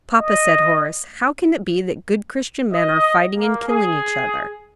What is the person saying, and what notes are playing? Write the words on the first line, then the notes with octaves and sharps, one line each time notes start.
"Papa," said Horace, "how can it be that good Christian men are fighting and killing each other?"
D#5
D#5
A#3
G#4